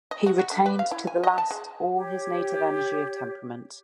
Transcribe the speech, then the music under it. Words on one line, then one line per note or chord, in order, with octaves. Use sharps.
He retained to the last all his native energy of temperament.
D#5
F#4
F#4
D3
B4
F5
E4
G#5
D#5
A5
G#3
G4 C#5